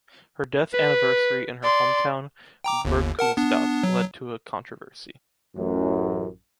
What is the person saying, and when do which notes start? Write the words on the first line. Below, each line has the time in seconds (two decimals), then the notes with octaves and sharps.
Her death anniversary in her hometown Burgkunstadt led to a controversy.
0.73 B4
1.64 D5 C6
2.64 G5 A#5 D6
2.85 G1 D#2
3.19 A#4 F#5 A5
3.37 B3 D4
3.83 F#3
5.56 A1 F#2